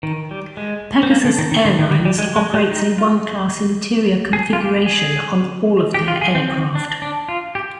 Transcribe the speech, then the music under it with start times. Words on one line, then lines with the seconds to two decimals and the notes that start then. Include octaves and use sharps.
Pegasus Airlines operates a one-class interior configuration on all of their aircraft.
0.03 D#3
0.31 G3
0.57 G#3
1.03 C4
1.10 A#3
1.24 D3
1.38 D#3
1.52 D#3
1.65 D3
1.79 D#3
1.91 G3
2.05 G3
2.18 G#3
2.36 G#3
2.54 G3
2.71 D#4
2.98 F4
4.33 G#4
4.53 F4
4.60 G4
4.86 G#4
5.94 G4
6.08 F4
6.21 G#4
6.35 C4
6.48 C4
6.75 D4
7.02 D4
7.29 F4
7.55 G4